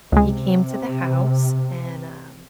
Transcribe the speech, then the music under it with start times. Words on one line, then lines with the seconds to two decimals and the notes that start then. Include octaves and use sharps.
he came to the house, and, um
0.12 C#2 C3 G#3